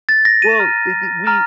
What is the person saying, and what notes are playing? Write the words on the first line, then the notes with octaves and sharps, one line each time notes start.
Well, d d we
A6
A#6
D#7
A#5 F6
A#5 F6